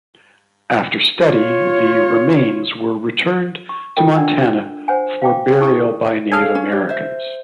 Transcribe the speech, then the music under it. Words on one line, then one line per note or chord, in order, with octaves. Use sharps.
After study, the remains were returned to Montana for burial by Native Americans.
F4 C#5
C#6
F4 A4 A#4 D#5 G5
D4 D5 F#5 G#5 E6
C5 C#5 F#5 G#5
F5 G5 D6
D#4 E4 G#4 C#6 D#6
G#4 A4 C#5 F5
C#4
G4 C#5
C5 E5